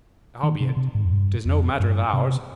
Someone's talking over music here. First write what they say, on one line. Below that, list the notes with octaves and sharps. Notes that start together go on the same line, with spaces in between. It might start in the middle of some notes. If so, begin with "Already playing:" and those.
Howbeit, 'tis no matter of ours.
D#3
C3
C3
G#2
F2
G2
F2
G2
C3